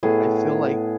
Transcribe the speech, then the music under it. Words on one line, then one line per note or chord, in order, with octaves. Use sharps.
I feel like
A2 B3 G#4